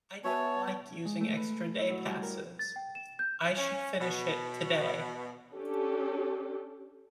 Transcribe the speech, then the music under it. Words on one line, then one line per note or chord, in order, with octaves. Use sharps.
I don't like using extra day passes; I should finish it today.
B3 F#4 C#5 E5 G#5 A5
G#3
A3
B4
E4
F#3
G3
A#4
A6
G5
E7
G6
C#4
B2
C#4 D4 G4 A4